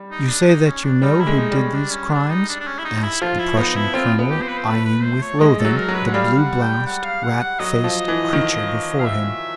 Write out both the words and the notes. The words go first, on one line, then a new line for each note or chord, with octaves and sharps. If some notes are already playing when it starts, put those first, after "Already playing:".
"You say that you know who did these crimes?" asked the Prussian colonel, eyeing with loathing the blue-bloused, rat-faced creature before him.
Already playing: G3
D#4
D4
D#4
C#4
D4
G3 D#4
E4
G#3
D#4
G3
C#4
D4
C#4
D4
D#4
D4
D4
C#4
E4
D#4
E4
F3 F4
E4
B3 D#4
E4
C4 F4
B3
G4
C5
B4
C5
A3 B4
B4
C5
C#5
G#3 D#5
A4
F#3
A#4
F#3
B4
F#5
G3 F5
F#5
G5
F#5
F5
F#5
F#5
F#3 D#5
F3
E3
D#3
F5
E5